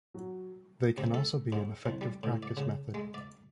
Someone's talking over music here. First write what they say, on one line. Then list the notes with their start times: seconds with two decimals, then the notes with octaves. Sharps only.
They can also be an effective practice method.
0.14 F#3
0.98 C3
1.14 A4
1.52 G#2
1.86 C2
2.01 G3
2.23 A2
2.43 D5
2.57 C#3
2.94 G#3
3.14 D5